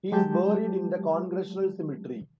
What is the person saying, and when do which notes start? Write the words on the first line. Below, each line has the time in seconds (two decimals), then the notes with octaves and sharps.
He is buried in the Congressional Cemetery.
0.12 F#3 G#3 G4 A5 G6